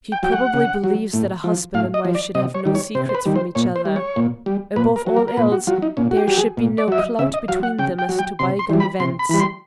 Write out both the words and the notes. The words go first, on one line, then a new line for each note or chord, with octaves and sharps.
She probably believes that a husband and wife should have no secrets from each other. Above all else, there should be no cloud between them as to bygone events.
G5
F#3 G5
F#5
C#3
F#3
A2
F3
A2 F5
D#5
F3
D5
C3 D#5
C#5
D#3 G3
C#5
C3 C5
C5
B4
D#3 G3
C5
A#2 C#5
C5
G3
C#5
A#2
G3
A#2 B4
A#4
F#3
A#4
A#4
A#2 B4
F#4
F#3 F4
D#4
A#2 C#4
F#4
G4
F#3 G4
G#4
A#2
D5
F#3 E5
D#5
C#3 E5
D#5
F#3 F5
F#5
C#3 G5
G5
F#3
G5
C3 C6
C6
E3 G3
B5
C3 C6
B5
E3 G3 B5
C6